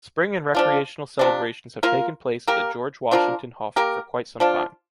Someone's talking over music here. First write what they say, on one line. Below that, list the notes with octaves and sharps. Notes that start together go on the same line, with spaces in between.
Spring and recreational celebrations have taken place at the George-Washington-Hof for quite some time.
F3 D4 F4
C3 F3 D4
A#3 F4 A#4
A#3 G4 A#4
F3 D4 F4 A#4
A#3 G4 A#4
F3 D4 F4